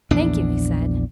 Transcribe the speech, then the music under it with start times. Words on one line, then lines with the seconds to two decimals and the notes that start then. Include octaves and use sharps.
"Thank you," he said.
0.11 A#1 E2 D4